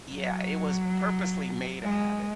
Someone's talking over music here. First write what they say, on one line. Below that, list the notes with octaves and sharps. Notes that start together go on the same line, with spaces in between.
Yeah, it was purposely made a habit.
F#3
G#3